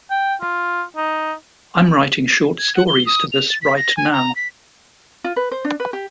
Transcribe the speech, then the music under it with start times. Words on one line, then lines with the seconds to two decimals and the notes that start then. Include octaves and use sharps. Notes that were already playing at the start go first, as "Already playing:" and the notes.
I'm writing short stories to this right now.
0.11 G5
0.41 F4
0.97 D#4
2.58 G#6
2.75 F#5
2.87 G7
3.06 D#6
3.32 F7
3.50 A6
3.62 B6
3.76 A#6
3.97 G#5
4.12 A#5
4.36 B6
5.24 F4
5.36 B4
5.51 C5
5.65 D4
5.80 B4
5.93 G4